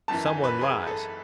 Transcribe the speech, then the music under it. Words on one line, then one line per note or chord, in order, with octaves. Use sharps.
Someone lies.
F#1 F#2 E3 A5
G#5
B4
G#4
A4